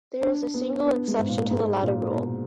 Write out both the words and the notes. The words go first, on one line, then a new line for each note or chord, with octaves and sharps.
There is a single exception to the latter rule.
D4
B3
D4
B3
G#3
G#2
A#2
G#2
A#2
B2